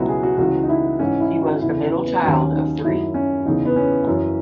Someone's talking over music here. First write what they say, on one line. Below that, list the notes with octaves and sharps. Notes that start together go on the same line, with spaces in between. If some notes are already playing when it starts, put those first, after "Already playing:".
She was the middle child of three.
Already playing: C#2 B2 F#3 E4 F#4
G#4
F#4
C#2 C#3 E3 F#4
D#4
E4
G#2 E3 C#4
E4
F#4
E2 C#3 E3 E4
C#4
B3
B3
D#2 D#3 F#3 C#4
D#4
F#2 D#3 F#3 E4
C#4
E2 C#3 E3 D#4
B3
C#4
F#2 E3